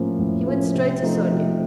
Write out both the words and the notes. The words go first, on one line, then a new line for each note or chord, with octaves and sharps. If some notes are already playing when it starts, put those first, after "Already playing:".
He went straight to Sonia.
Already playing: A2 F3 A#3 C#4
A2
F3 A#3 C#4
C3
F3 A3 D#4
C3